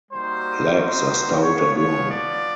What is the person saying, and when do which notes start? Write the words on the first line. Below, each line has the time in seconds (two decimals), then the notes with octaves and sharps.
Legs are stout and long.
0.12 G3 A#3 D#4 F#4 C5
0.78 C5
1.42 B3 D4 F4 C#5
1.75 C#5
2.08 D5